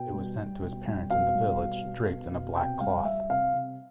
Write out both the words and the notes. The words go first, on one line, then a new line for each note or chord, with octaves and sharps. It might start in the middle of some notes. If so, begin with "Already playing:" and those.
It was sent to his parents in the village draped in a black cloth.
Already playing: B2 G5
G3
G3
B2
G3
B2 F5
G3
B2
B2
B2
B2
C3 G5
G3 F5
G3 E5
C3 F5
C3